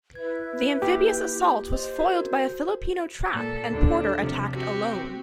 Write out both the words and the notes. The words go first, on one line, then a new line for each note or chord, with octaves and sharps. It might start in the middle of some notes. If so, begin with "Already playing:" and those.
The amphibious assault was foiled by a Filipino trap, and Porter attacked alone.
E4 B4 G#6
A#3 F4 G4 G6
C5 D#5
F#4 A#4
A#2 A4
D#2 D3 D4
C3 F3
C4 F#4 G4